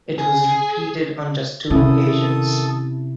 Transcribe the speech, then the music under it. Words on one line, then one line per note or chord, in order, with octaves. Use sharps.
It was repeated on just two occasions.
G#4
C3 D#3 C#4 E4 A4 A5 D#6